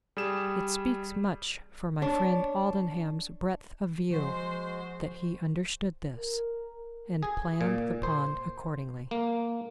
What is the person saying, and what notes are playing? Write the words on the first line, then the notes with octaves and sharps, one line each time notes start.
It speaks much for my friend Aldenham's breadth of view that he understood this, and planned the pond accordingly.
G3 G#4 E7
D4 C#5
F3 G#3 F#4 C5
A#4
G#4
A#2
C5
A#3